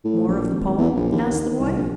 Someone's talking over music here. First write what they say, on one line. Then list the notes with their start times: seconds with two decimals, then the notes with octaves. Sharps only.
"More of the poem?" asked the boy.
0.04 A2
0.28 A#1
0.51 G#1
0.77 E2
0.95 A#1
1.11 D#2
1.32 D#3
1.60 C2
1.77 A#1